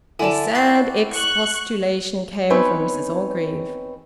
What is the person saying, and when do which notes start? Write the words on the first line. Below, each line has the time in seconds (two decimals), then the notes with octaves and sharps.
This sad expostulation came from Mrs Orgreave.
0.19 D3 E4 D5 G#5 A5
0.55 F#4 A6 C7
1.12 C#6 F#6
2.50 B3 C4 D#4 B4 C#5 G#5